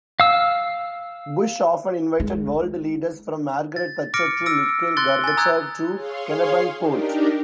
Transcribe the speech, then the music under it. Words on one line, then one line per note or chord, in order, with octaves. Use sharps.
Bush often invited world leaders, from Margaret Thatcher to Mikhail Gorbachev, to Kennebunkport.
F5 E6
G#3
A6
D6 F6 A#6 C#7 D7
E6 A#6 D7
C6 F#6 A6 G7
G#5 A6
A#5 D#6 E6 F#6 G#6 A6
G#4 C#5 F5 C6
D4 D#4 G4 A#4